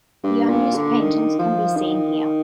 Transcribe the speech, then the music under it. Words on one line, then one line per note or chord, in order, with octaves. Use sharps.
The unused paintings can be seen here.
G2
A#2
D3
D#3
F3
D#3